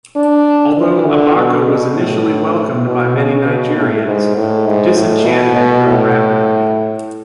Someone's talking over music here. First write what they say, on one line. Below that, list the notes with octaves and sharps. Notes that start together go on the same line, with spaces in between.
Although Abacha was initially welcomed by many Nigerians, disenchantment grew rapidly.
D4
E3
D3
B2
A2
B2
C#3
B2
A2
G#2
A2
G#2
A2
B2
B2
A2